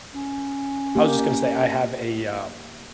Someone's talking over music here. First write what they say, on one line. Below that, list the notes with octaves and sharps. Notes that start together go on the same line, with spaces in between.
I was just gonna say, I have a, um
C#4
A#3 G4